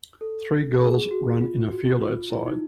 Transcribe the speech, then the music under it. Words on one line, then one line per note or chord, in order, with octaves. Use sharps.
Three girls run in a field outside.
A4
G#4
F#4
F4
F#4
F#4
F4
E4
D#4